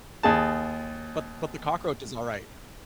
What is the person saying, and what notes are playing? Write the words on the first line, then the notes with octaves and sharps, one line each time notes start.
But but the cockroach is alright,
D#2 G#4 A5